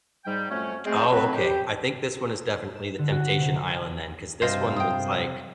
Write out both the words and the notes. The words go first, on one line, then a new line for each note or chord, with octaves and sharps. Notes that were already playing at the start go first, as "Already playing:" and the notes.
Oh, okay. I think this one is definitely the Temptation Island then, 'cause this one was like
G#2 G3 G5
F2 F#3 A3 C#4
G#3 A3 C4
F#3 C4 B4
G4
E7
D3
F#4
B6
C3
G2 C3 F4 C5 D#5
G5 D#6